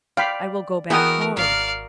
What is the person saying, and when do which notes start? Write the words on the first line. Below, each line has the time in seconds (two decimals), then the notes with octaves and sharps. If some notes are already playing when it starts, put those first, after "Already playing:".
I will go back home.
0.17 D5 F5 G5 B5
0.90 E3 B3 F#4 G#4 A#4 E5 G5 D#6
1.37 G#1 A#4 D5 F5